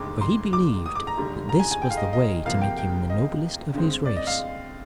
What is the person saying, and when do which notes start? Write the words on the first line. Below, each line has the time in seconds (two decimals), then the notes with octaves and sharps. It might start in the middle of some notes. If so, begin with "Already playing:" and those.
For he believed that this was the way to make him the noblest of his race.
Already playing: F1 D#2 D3 G#3 D6
0.21 C6
0.53 D6
0.86 D#6
0.95 D6
1.07 A#5
1.17 F1 D#2 D3 G3
1.49 A#5
1.60 G#5
1.71 G#5
1.82 G5
1.90 F5
1.97 D#5
2.13 D#5
2.45 C2 C3 F3 A#3 F5
2.61 G5
2.78 G5
3.10 D#5
3.73 G2 D3 G#3 C4
4.06 D5
4.16 D#5
4.27 F5